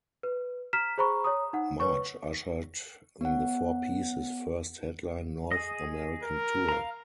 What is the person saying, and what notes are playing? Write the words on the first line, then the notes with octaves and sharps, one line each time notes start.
March ushered in the four pieces first headline North American tour.
B4
A#5 F6 B6 E7
G#4 C5 A#5 B5 C#6
C#5 A#5 D#6
D#4 F#5
B4 C#5 C#6
B3 C#5 F#5
G#4 D#5
A#4
F5 A#5